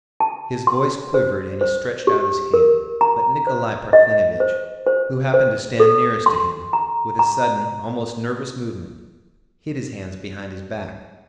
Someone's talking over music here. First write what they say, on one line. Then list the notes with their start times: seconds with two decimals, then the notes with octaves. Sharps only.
His voice quivered and he stretched out his hand, but Nikolay Parfenovitch, who happened to stand nearest to him, with a sudden, almost nervous movement, hid his hands behind his back.
0.20 A5
0.67 C6
1.14 C5
1.61 C5
2.07 G4
2.54 A#4
3.01 A#5
3.47 C5
3.93 D#5
4.40 C5
4.86 C5
5.34 C5
5.80 A4
6.26 C6
6.73 A#5
7.19 A#5